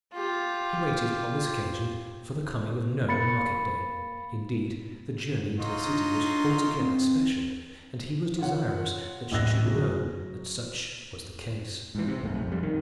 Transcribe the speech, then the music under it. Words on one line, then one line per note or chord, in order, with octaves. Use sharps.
He waited, on this occasion, for the coming of no market-day; indeed, the journey into the city was altogether special, and he was desirous that she should know that such was the case.
F4 G4
A#3 B5 A6 C#7
F#3 D#4 F4
D4
C4
F4 C#5 F#5
A1 F#2 E6 F#6 A#6
F#3 G#4
F#3
G#2 E3
C3
A#1 F#2 A3
A#1
F2 G3
D#3